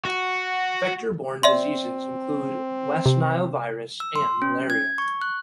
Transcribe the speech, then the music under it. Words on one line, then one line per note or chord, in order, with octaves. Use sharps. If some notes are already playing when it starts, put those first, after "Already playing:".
Vector-borne diseases include West Nile virus and malaria.
F#4
C4 D5 E5 C6
C3
E6
C6
C#4
G#6
C#6
F#6